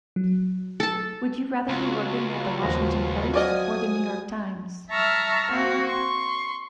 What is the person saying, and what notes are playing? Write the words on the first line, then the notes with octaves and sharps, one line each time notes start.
Would you rather be working at "The Washington Post" or "The New York Times"?
F#3
A4 A5
C#2 F4 F#4
D#2 F3 A#5
F3 F#3 D5 D#5 F#5 G#5 D#6 F6
E5 A5 A#5 C#6 E6 F6
A#3 C4 F#4
C6 C#6